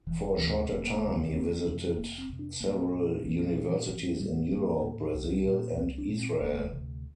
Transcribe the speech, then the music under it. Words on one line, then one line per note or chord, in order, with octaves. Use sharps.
For a shorter time, he visited several universities in Europe, Brazil and Israel.
E1 E3
D2 C3 E3
E1 A#3
A3
A#3
D2 C3
F1 C4
F2 C3
F1 A#3
C4
F2 C3
D4
A#1 A#3
A#2
A#1 E3
A#2 D3
E3
A1 F3
F3
A2 G3
A3
A1 A#3
A2
C2
A#2
C2 C4
D4
A#2
C4
E1 A#3
D2 C3